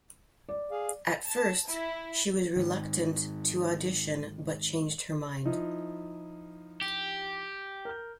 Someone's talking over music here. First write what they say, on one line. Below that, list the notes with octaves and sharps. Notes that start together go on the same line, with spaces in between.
At first, she was reluctant to audition but changed her mind.
D5
G#4 F5
A5
E4
G#2 D#3
F3 D#4 E4
G4
A#4 G6